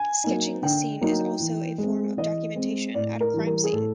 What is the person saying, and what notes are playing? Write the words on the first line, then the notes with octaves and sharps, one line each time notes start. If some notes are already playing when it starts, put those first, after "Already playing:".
Sketching the scene is also a form of documentation at a crime scene.
Already playing: G#5
F#3 A#3 D#4
D3 G5
F#3 A#3 D#4
E3
G#3 C4
E3 D#5
G#3 C4
A2 D5
A#4
E3 G3
A#4
G#4
A2 A4